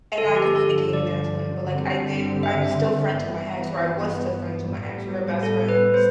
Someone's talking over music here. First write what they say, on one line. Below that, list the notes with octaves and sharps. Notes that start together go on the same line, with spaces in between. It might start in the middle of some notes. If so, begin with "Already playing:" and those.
and I communicated that to him. But, like, I did I'm still friends with my ex, or, I was still friends with my ex, we were best friends.
G2 D3 F3 A4
G4
A4
D5
G2 D3 G3 C4
E5
G2 E3 B3
A2 G3 B3
A4
B4
C5